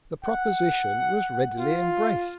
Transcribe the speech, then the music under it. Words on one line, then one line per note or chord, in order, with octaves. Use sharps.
The Proposition was readily embrac'd.
F#5
F4